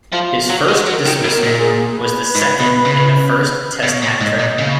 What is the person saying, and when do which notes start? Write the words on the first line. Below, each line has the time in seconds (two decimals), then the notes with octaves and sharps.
His first dismissal was the second in the first Test hat-trick.
0.12 F3 F4
0.49 F#3 F#4
0.68 G#3
0.86 F#3 A#4
1.06 D#3
1.24 B2
1.43 A#2
1.60 G#4
1.98 B4
2.35 G#2
2.60 B2
2.85 C#3
3.83 B2 C#5
4.02 A#2
4.20 G#2 D#5
4.39 A#2
4.58 C#3